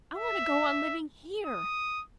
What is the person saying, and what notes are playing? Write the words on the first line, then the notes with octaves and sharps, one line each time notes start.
I want to go on living HERE.
E5
D#6